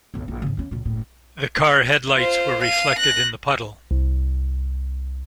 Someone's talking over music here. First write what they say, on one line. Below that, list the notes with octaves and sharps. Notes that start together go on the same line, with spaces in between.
The car headlights were reflected in the puddle.
B1 G2
A#1 E4
G#2 C#3
D#2 C#4
C#2 A#2
F#1 A2
F4 C5
F5 D#7
F#6 A#6
C2